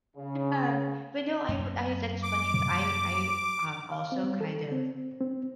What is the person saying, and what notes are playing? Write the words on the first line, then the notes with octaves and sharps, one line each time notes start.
Um, but no, I r I that's funny 'cause I I, um, also kind of
C#3
F#2 A#3
D6
F5
C4
G3
A4
C4
C4